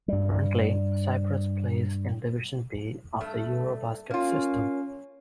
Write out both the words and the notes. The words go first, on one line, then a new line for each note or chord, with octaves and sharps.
Currently, Cyprus plays in Division B of the EuroBasket system.
G2 G3
G2 A3
A#3 C#4 F4